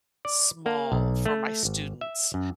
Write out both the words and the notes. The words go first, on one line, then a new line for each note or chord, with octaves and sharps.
small for my students,
D5
A#3
B1
A3
G#1
E5
F#2